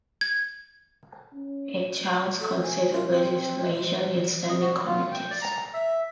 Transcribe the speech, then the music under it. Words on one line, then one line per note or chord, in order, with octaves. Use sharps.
Each house considers legislation in standing committees.
G#6
C#4
A4
G#5
F4
C4
C5
D#5
F#4
F4
G5
D5
A#5
E5